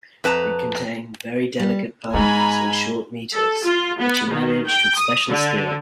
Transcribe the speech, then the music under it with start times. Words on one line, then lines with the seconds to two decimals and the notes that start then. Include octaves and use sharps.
It contained very delicate poems in short meters, which he managed with special skill.
0.24 F2 B4 A5 A#5
1.59 G3
2.14 G#2 G#3 B3 G#5 A#5 B5
3.35 A4
3.64 F4
4.00 B3
4.31 D#3
4.66 G5
4.98 D#6
5.29 D3